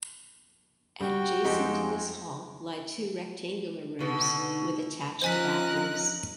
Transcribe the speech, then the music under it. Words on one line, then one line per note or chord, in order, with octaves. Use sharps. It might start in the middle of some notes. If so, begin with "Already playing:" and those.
Adjacent to this hall lie two rectangular rooms with attached bathrooms.
G3 F#4 G5
F2 G#3 C4 D#4 G4
B2 D3 D#4
F3 C#4 D#4 A#4 C5 G#5 F#6 B6